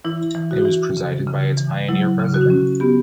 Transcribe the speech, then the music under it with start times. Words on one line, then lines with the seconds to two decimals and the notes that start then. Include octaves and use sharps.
It was presided by its pioneer president.
0.05 E3 E4
0.35 E3
0.51 F#4
0.65 E3
0.97 C#3
1.27 C#3
1.57 E3
1.89 F#3 E4
2.20 C#3
2.34 F#4
2.50 C#4
2.80 B3 G4